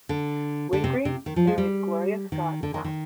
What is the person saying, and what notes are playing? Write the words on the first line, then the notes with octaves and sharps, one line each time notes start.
Wingreen married Gloria Scott Backe.
D3
D3
C3
C3
D#3
F3
G#3
G3
D#3
D3
D#3
D#3